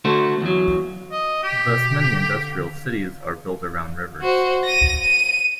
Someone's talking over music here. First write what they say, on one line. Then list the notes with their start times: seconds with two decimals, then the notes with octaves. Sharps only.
Thus many industrial cities are built around rivers.
0.05 D3 A3 F#4 C5
0.41 E2 F#3
1.12 D#5
1.44 G4
1.67 B2
2.12 D3
4.22 F#4 C5
4.65 A#6 D#7
4.99 D#7